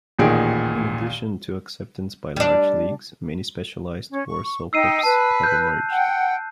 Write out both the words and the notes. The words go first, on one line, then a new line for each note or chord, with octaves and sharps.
In addition to acceptance by large leagues, many specialized "Warsow" cups have emerged.
A1 D#2 A#2 D#3 G#4 D7
G3 D4
C#4
C#6
D#4 G5 E6 C7 D#7
B4 A5
F#6 G6
F#5 G5